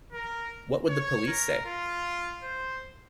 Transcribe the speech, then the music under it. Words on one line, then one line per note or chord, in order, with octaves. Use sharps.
What would the police say?
A#4
C#5
A#4
F4
C5